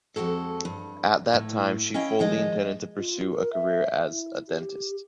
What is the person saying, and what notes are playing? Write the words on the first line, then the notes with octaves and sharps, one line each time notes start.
At that time she "fully intended to pursue a career as a dentist".
F2 G#3 F#4 A4
G2
A2
C#4 E4 D#5 F5 G5
D#3 F3 G#3 D#5
F4
A#4
E5
E4
G4